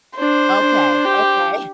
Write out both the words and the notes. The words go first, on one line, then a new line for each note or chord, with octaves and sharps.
Okay, okay.
D4 C5
D4
G4